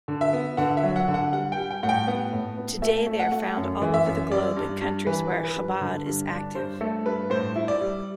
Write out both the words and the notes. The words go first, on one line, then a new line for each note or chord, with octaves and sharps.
Today they are found all over the globe in countries where Chabad is active.
D3
E5
B3
D3 F#5
E5
F#3
F#5
D3
F#5
G3 F#5
G5
G3
G5
A2 F#5
G5
B3 F#5
A2
B3
A3 E5
A3
F#5
A3
F#2
E3
E5
F#2
G3 D5
G2
G2
E3 B4
E3
B4
G2
D3
G2
D4
G2 C5
A3 A4
G2 B4
A2 C5
E4
D5
G3